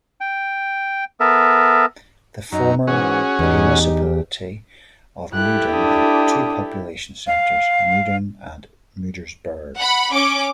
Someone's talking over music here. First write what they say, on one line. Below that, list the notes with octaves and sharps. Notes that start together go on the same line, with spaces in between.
The former municipality of Muiden had two population centers: Muiden and Muiderberg.
G5
B3 A4 A#4 E5
F#2 D#4 A#5
G#2 E3 C#4 F#4 G#4
E2 D#4 G4
E4 G4 A4 F#6
D4 D#6
F5
F#5 B5
C#4 D6